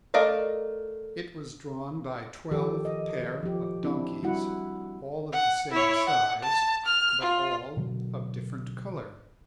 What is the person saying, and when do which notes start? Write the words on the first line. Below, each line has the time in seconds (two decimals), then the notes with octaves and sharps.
It was drawn by twelve pair of donkeys, all of the same size, but all of different color.
0.14 A3 A#4 D5 D#5 F5
2.51 D#3 F3 G4 A4
2.85 D#5
3.43 F3 G4
3.84 C4 D4 E4
4.23 G3 E4 F#4 F#5
5.32 F#5
5.71 E4 C#5
6.06 F#5
6.43 A5
6.86 F6
7.20 F4
7.77 B2 D3 F#3